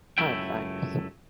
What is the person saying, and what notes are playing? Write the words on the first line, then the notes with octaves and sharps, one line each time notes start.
Oh, thanks.
C#2 F#2 A3 E4 G5